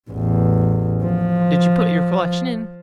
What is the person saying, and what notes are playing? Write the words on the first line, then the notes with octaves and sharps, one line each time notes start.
"Did you put your collection in?"
A1 E2
F3